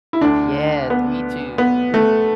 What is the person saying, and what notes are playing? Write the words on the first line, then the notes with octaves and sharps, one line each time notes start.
Yes, me too. Mm.
E4
D2 D3 D4
B3
B3
A3